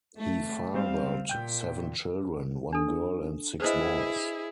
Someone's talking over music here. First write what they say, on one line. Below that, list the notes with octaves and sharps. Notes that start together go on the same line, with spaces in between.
He fathered seven children - one girl and six boys.
A3
G3 C4 C5 F5
A#2 G5 G6
D4 A4
E4 G#4 B4 C5 D#5